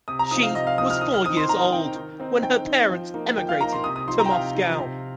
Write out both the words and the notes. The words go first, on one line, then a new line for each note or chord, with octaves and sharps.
She was four years old when her parents emigrated to Moscow.
C3 D#6
A#5
F3 C4 D#4 D#6
F5
C3 D#5
F5
F3 C4 D#4 D#6
F6
D#3 D#6
F6
C4 D#4 D#6
C6
D#3 A#5
C4 D#4 G5
D#3
C4 D#4
D#3 G5
C4 D#4
F3
A#3 D#4
F3 G5
F5
A#3 D#4 A#5
C6
C3 D#6
D#6
F3 D#4 C6
A#5
G5
C3 F5
F3 D#4
C3